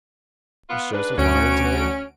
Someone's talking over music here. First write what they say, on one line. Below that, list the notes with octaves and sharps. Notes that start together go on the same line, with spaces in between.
Was Joseph lying to him?
B3 F4
G#2 D4 B4
D2 C#4 F#4 D7